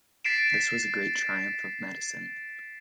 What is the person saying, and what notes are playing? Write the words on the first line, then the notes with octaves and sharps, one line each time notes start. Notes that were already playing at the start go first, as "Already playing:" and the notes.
This was a great triumph of medicine.
A6 B6 C7 D7 E7